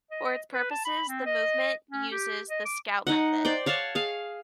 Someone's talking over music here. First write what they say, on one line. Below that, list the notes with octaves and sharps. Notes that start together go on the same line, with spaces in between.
For its purposes the movement uses the scout method.
D#5
B4
A5
B5
C4
D#5
C#4
G4
D#5
D6
D#4 D#5 F#5
C5 D5 G5
C#5 F5 F#5 A5
G#4 F5